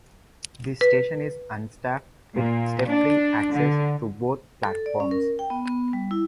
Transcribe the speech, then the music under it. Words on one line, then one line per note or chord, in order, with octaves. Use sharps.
The station is unstaffed with step-free access to both platforms.
B4
A#2
D4
D3
A4
D5
C#4
A#4
G5
B3
B3
G3
E4